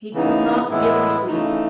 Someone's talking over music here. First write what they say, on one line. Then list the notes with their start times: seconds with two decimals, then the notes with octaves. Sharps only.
He could not get to sleep.
0.13 C#3 E3 B3 D#4
0.70 A2 E3 G#3 B3 E4
1.27 C#3 E3 A3 D#4